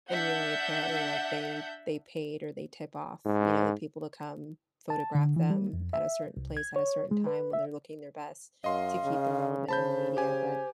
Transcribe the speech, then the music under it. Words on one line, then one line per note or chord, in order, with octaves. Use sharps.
And really apparently, like, they they paid or they tip off, you know, the people to come photograph them at a certain place at a certain time when they're looking their best to keep them relevant in the media, but,
D4 E5 F#5 G6
G#2
A5
D3
E3
G3
F2
E5
C2
G#6
C#5
G#3
B4
E5
F#2 D#5 F5 C6
C#3
C#3 C5 A5 B5 G6
G4 G#5